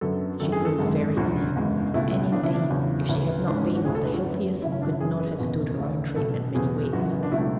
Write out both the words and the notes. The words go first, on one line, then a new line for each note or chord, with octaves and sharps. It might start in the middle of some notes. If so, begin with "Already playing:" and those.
She grew very thin; and, in-deed, if she had not been of the healthiest, could not have stood her own treatment many weeks.
F#2 D3 F#3 B3 A4
G#1 F#2 D3 A4
G#4
A4
G#1 F#2 D3 G#3
E1 D2 D3 F#3 F#4
F#1 E2 D3 G#3
C#2 B2 A3 E4
E1 E2 C#3 D4
E4
D4
E2 C#3 F#3
D2 C#3 E3 B3 E4
G#1 G#2 E3 D4
C#4
D4
F#4
D2 D3 A3 G#4
A4
B4
F#4
F#2 E3 B3
G#1 F#2 C#3 E4
C#4
D4
F#4
E4
F#2 E3 B3 G#4
B4
F#1 E2 B2
D2 C#3 E3 A3
B1 B2 A3 A4
E2 B2 F#3 B3 G#4
F#1 F#2 E3 B3 F#4
D4
C#2 B2 F#3 A3 E4